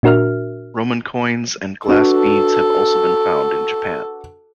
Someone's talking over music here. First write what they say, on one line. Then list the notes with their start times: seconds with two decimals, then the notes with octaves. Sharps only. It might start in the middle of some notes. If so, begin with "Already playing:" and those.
Roman coins and glass beads have also been found in Japan.
0.03 A#2 D4 F#4 A#4 E5 F6
1.88 D4 F#4 A4 B4